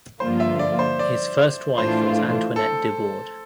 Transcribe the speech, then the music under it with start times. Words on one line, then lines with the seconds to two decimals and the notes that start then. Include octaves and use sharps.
His first wife was Antoinette de Bord.
0.20 G2 D3 F3 A#3 F4 C5
0.40 E5
0.59 D5
0.79 C5
0.99 D5
1.77 A2 E3 A3 D4 F4 C5
2.56 A4